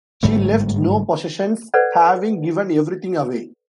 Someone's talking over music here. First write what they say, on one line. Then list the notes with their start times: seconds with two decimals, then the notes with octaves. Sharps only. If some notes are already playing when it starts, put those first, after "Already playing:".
She left no possessions, having given everything away.
0.23 G1 G#2 G3 A3
1.74 A4 B4 C5 D5 F#5